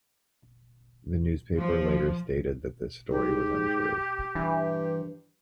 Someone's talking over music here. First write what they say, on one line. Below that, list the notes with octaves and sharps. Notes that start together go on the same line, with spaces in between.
The newspaper later stated that this story was untrue.
F3
G#2 G4
G2 E3